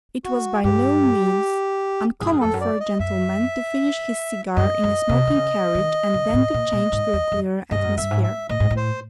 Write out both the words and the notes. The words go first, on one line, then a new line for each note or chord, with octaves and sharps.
It was by no means uncommon for a gentleman to finish his cigar in a smoking carriage and then to change to a clearer atmosphere.
F#4
G2 G4
G2 G#4
F#2
F2 A4
F#2
D5
D#5
F#2 E5
F#2 D#5
F#2
C3
D3
C#3
D#3
D3
A#2
A2
A#2
A#2
G#2
E2
F2
G2 D#5
F#2
G2 E5
G#2
E5
A2 D#5
G#2
A2
C5